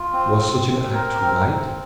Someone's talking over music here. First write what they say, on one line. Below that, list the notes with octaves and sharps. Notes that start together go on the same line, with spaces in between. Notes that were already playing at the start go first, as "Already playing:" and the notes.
Was such an act right?
Already playing: F4
C4
C4
C4
A#4
C4
C4